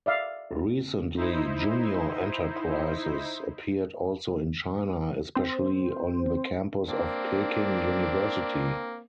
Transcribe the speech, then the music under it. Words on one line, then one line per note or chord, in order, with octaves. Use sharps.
Recently, junior enterprises appeared also in China, especially on the campus of Peking University.
D5 E5 F5
D#4 E4 C5
C4 C5
A#3 C4 D4